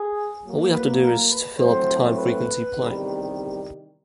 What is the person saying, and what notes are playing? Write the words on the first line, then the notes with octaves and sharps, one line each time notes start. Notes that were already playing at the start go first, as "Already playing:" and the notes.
All we have to do is to fill up the time-frequency plane.
Already playing: G#4
A2 F#3 A#3
B4
A#4
B4
A2 F#3 A3 C4 C5
B4
E2 C3 D#3 G3